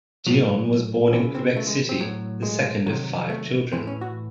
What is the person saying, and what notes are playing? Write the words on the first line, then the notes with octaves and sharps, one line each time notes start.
Dion was born in Quebec City, the second of five children.
A2 F#3
C#3 E3 C4
C4
A3
G#3
C4
A2 F#3
G#3
C3 D#3 F#3
A3
A2 E3 C4
C#4
F#4